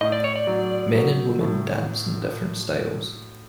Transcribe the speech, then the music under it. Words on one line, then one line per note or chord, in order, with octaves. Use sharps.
Men and women dance in different styles.
A2 D#5
D5
C#5
D5
F#3
F#3
A2